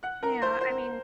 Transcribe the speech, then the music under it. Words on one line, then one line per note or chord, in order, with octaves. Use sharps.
Yeah, I mean
F#5 F#6
A#4 A#5
C5 C6
C5 C6